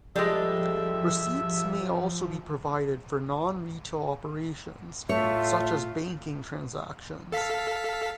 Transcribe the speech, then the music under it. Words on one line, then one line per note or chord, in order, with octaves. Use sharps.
Receipts may also be provided for non-retail operations such as banking transactions.
F3 G3 G#3 D4 G4 A4 E5
A2 A3 F4 C#5 E5
A4 F5 B6